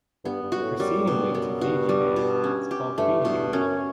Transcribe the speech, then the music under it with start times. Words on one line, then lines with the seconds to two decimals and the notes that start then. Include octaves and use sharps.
The preceding week to Fiji Day is called Fiji Week.
0.25 G2 B3
0.43 G2
0.52 F#4
0.62 A2
0.79 F#2 G3
1.06 G2 B2
1.35 F#2 B3
1.61 G2 F#4
1.89 G3
2.16 B2
2.44 C#4
2.71 G4
2.98 G2 A3
3.25 G2 B2
3.53 F#2 C#4